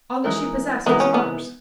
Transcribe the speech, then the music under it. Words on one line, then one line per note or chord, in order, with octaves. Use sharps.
All that she possessed was ours.
E3 G#3 D#4 A#4
E3 G#3 B3 D#4 A#4
C#4
B3